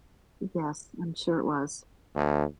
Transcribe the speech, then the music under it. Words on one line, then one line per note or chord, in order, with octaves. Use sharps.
Yes, I'm sure it was.
D2